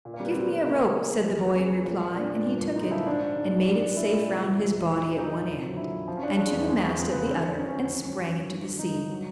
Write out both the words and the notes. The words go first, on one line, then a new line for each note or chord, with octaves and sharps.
'Give me a rope,' said the boy in reply, and he took it, and made it safe round his body at one end, and to the mast at the other, and sprang into the sea.
A#2
A#3
G3 B3
G3 C4
G3 B3
C#3 A#3
G#3
G#3
G#3
F2 A#3
F2 B3
F2 C#4
F2
A#2
A#2
A#2 D4
A#2
G2
G2
D3 D#4
F3 E4
G#2 D4
G#2
G#2
G#2
G3 D4
A#2
G3 E4
A#2
C3
E3
G3
E2
A#2
F#3
E4
A#2 D#4
A#2
F2
F#3
D3 E4
F2
F3
C#4
F3 D4
G#3 D4
E2
G#3
F3
F2 C4
C#3 B3
D3 C4
F2
D3 C#4
C#4
F2
C#4
D#3
F#2 C#4
F#2
F#2
G2
D3
G2 D#4
G2
F#3